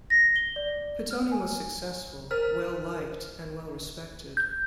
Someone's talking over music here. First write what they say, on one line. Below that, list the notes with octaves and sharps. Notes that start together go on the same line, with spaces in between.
Pittoni was successful, well liked and well respected.
A#6
G7
D5
F6
G#5
A#4 C5 F6
G6